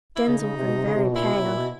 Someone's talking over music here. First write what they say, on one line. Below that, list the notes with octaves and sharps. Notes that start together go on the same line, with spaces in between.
Denzil grew very pale.
E4
C#3 D#4
C#3
C3
B2
C3
C#3
C3
B2
A#2 E4
B2
C3
A#2
B2